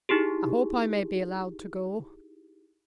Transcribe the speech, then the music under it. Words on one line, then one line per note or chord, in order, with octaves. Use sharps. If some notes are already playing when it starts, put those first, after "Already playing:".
'I hope I may be allowed to go?'
D#4 E4 G4 G#4